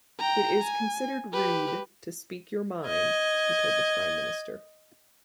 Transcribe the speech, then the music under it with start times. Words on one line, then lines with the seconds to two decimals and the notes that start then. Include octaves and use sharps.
It is considered rude to speak your mind, he told the Prime Minister.
0.19 G5 A#5
0.64 G#5
1.33 G4 B4
2.87 D#5 G#6